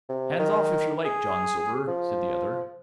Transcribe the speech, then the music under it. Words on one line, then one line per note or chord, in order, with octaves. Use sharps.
"Hands off, if you like, John Silver," said the other.
C3
D#3
G#4
F3